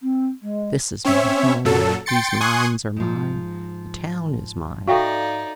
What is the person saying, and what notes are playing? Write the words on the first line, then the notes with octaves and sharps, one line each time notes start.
This is my home, these mines are mine, the town is mine.
C4
G#3
C4 C#4 C#5 E5
F#2 A#2 F#3 A4
G5 C6 A6 C#7
G#5 C6 C#6 D#6 F#6 G#6
G#2 F3
D#4 F#4 A4 D5 E5 F5 G5 C#6